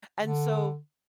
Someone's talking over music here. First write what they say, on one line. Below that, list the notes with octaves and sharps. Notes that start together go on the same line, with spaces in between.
and so,
D3